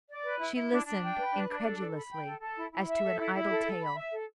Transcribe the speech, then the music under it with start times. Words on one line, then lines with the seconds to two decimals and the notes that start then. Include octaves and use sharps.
She listened incredulously, as to an idle tale.
0.08 D5
0.23 B4
0.39 E4
0.54 E4
0.70 D4
0.86 D4
1.01 G5
1.17 B4
1.32 D4
1.48 D4
1.64 A4
1.79 A4
1.95 B5
2.09 G5
2.25 A4
2.41 A4
2.56 E4
2.72 E4
2.87 E5
3.03 A4
3.18 E4
3.35 E4
3.49 A4
3.65 A4
3.81 B5
3.96 E5
4.11 A4